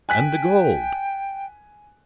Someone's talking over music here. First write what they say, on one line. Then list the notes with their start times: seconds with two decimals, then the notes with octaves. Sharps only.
"And the gold?"
0.09 G5 G#5 F#6 B6